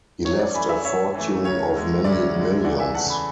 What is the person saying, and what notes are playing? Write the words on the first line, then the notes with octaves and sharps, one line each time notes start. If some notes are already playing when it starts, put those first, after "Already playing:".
He left a fortune of many millions.
F#2 C#5
D5
E3 A3 G#5 B5
E5 G#5
F#2 C#5 E5
E3 A3
D2 C#5
D3 G#3
D2 D5
D3 G#3
E2 D5 F#5
E5 G#5
C#3 E3 A3 F#5 A5
G#5 B5